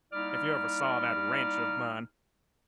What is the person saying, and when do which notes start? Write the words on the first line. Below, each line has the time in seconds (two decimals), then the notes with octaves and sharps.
If you ever saw that ranch of mine!
0.13 G3 A#3 D#4 E4 D5 F6